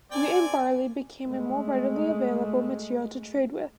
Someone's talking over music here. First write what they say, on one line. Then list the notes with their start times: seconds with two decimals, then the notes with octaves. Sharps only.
Wheat and barley became a more readily available material to trade with.
0.11 C4 A4 D5 G#5
1.27 G#3 A3